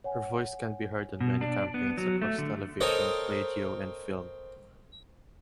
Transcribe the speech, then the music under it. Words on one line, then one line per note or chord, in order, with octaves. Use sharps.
Her voice can be heard on many campaigns across television, radio and film.
C#5 F#5 G#5
B2
D4
B3
F#3
A3
D3
C4 A4 A#4 C#5 D#5